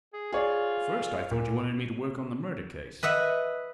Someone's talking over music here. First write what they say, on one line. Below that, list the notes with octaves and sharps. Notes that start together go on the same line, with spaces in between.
First I thought you wanted me to work on the murder case.
G#4
F4 G#4 C#5 D5
A#2
B4 D#5 E5 F#5